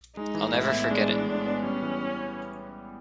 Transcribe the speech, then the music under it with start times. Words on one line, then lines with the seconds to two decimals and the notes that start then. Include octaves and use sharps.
I'll never forget it.
0.16 G#3 D#4
0.34 E3
0.53 A2 E4
0.72 B3
0.91 G#3 D4
1.08 E3
1.28 A2
1.46 B3
1.64 G3 C#4
1.82 E3